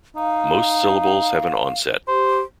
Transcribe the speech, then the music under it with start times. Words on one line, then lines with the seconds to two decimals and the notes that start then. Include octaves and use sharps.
Most syllables have an onset.
0.16 D#4 F5
2.08 G4 C5